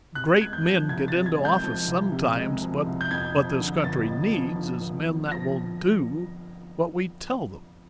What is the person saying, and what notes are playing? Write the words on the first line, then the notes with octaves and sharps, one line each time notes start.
Great men get into office sometimes, but what this country needs is men that will do what we tell them to do.
C3 F#6
G#3 G#6
G6
F3
C2 G#6
A6
C3
G#6
G#3
G6
F3
C2
C3
G#3
F3
C2
G6
F2 G#6
F3
D3
G1 A6
F2
F3
D3
G1
F2
F3 A#6